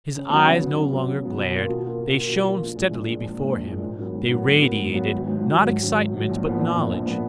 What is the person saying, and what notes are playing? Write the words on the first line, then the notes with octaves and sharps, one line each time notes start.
His eyes no longer glared; they shone steadily before him, they radiated, not excitement, but knowledge.
C#3
F#3 B3
C#3
F#3 B3
C#3
F#3 B3
C#3
F#3 B3
B2
A#3 F4
B2
A#3 F4
B2
A#3 F4
B2
A#3 F4
A#1
A#2 G#3
A#1
A#2 G#3
A#1
A#2 G#3
A#1
A#2 G#3
G#2
D#3 F#3 B3
G#2
D#3 F#3 B3
G#2
D#3 F#3 B3
G#2
D#3 F#3 B3
G#1
G#2 F#3
G#1
G#2 F#3
G#1
G#2 F#3
G#1
G#2 F#3
A#1
A#2 F3 B3
A#1
A#2 F3 B3
A#1
A#2 F3 B3